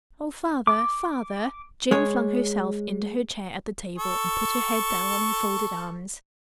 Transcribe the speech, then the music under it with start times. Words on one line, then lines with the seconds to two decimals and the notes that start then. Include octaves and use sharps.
"Oh, father, father!" Jane flung herself into her chair at the table and put her head down on her folded arms.
0.67 D6
1.91 G#3 C#5
3.98 A4 C#6